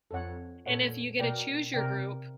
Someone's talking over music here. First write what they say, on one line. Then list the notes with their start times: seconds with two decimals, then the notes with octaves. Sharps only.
and if you get to choose your group,
0.11 F2 A4 C#5 F#5
0.66 A#2 A4 C#5 F#5
1.20 B2 A#4 D5 G5
1.74 C3 A#4 D5 G5